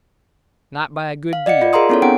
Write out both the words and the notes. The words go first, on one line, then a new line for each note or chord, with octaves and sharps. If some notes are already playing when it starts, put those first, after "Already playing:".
Not by a good deal.
F5
D5 D#5 F#5 C#7
F4 D5
G#4 A#4 F5 A#5 C6 D#6
B3 C#4 E4 A4 C#5
B3 C4 D4 F#5 G5 D7